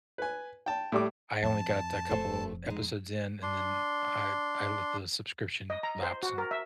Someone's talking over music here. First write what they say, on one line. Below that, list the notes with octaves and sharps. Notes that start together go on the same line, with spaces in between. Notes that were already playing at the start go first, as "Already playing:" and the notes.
I only got a couple episodes in, and then, I I let the subscription lapse, and
B4 G#5
G5 A5
A2 G3 D6
F2 A5
E1 A3 A4 C5
G#3 D#4
D4 C6
D#5
A#5
C5
F#4
A#4
E5